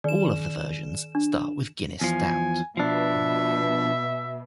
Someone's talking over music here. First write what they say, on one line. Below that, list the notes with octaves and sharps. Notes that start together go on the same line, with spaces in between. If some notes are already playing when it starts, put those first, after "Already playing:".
All of the versions start with Guinness Stout.
D#3 D5 E7
D4
E2 F3 G#5
B2 F3 D4 E5